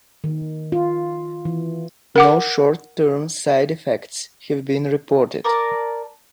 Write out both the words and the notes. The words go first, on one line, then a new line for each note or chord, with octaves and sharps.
No short-term side effects have been reported.
D#3
F4
E3
A#4 F#5 D6
A#4 D5 A5 A#5